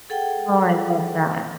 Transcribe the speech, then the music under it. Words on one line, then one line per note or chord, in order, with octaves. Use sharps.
Oh, I love that.
G#4 A4 F#5 G5